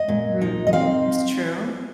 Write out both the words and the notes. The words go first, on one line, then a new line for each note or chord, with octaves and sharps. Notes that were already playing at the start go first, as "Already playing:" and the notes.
Mhm. That's true.
Already playing: D#5
A#2
D#4
D#5
C4 F5